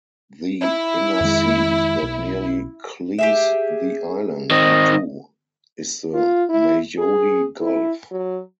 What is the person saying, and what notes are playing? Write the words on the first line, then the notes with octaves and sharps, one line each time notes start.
The "inner sea" that nearly cleaves the island in two is the Majoli Gulf.
E4
F2 D#3 G#3
B1
G4 G#4 E5
D#3 C4 D#5
F4
E4
G#4
E4
F#3